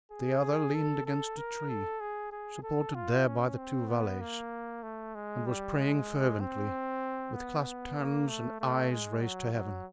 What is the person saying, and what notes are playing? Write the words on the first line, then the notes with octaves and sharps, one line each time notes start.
The other leaned against a tree, supported there by the two valets, and was praying fervently, with clasped hands and eyes raised to Heaven.
G#4
A4
A4
A#4
A4
G#4
G#4
A4
F4
C#4
C4
B3
A#3
A3
G#3
G3
G#3
C4
B3
A#3
A3
A3
G#3
F#3
F#3